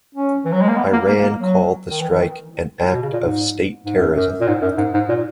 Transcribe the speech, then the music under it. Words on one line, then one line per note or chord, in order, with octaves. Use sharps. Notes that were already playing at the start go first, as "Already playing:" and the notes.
Iran called the strike an act of "state terrorism".
C#4
E3
F#3
G#3
A#3
B3
A#3
A#3
A#3
F#3
D#3
E3
E3
D#3
B2
C#3
A#2
G#2
G#2
F#2
F#2
A#2
G#2
F#2
G#2
G#2
A#2